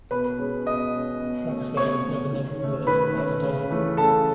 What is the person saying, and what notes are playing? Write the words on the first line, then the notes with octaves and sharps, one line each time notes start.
Black slaves never numbered more than about a dozen.
B2 B4 B5
G#3 C#4
B2 D#5 D#6
G#3 C#4
B2
A3 C#4
B2 C#5 C#6
A3 C#4
D#3
A3 C#4
D#3 B4 B5
A3 C#4
C#3
E3 A3 C#4
C#3 A4 A5